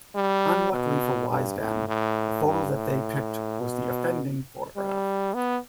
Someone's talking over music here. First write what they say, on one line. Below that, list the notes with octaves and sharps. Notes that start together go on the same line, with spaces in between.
Unluckily for Wisden, the photo that they picked was the offending photograph.
G3
B2
G2
A2
A2
G2
A2
B2
G3
B3